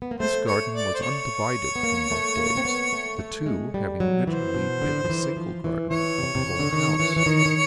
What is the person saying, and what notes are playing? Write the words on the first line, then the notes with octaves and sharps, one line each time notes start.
This garden was undivided from Loveday's, the two having originally been the single garden of the whole house.
B3
A#3
A3 C5
C#5
D5
C5
C#5
B3
A#3
A3
A#3
C4
B3
A3
A3
G#3
G3
F#3
E3 C5
B2
D3
F3
E3
F3
E3
E3 C#5
C3
C3
C#3
D3
D#3
E3
E3
D#3
D#3